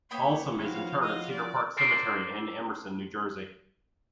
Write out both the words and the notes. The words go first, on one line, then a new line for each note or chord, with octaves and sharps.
Balsam is interred at Cedar Park Cemetery, in Emerson, New Jersey.
A#3 B3 C#5 G5 B5
F3 E4 F#4 C#5 F5
D#5 F5
D5
A4 A#4 C5 D5